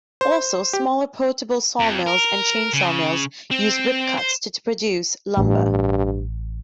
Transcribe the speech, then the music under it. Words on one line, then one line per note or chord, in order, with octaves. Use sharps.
Also, smaller portable sawmills and chainsaw mills use rip-cuts to produce lumber.
C5
G4
F2
A#4
C#3
C4
C5
A1 G2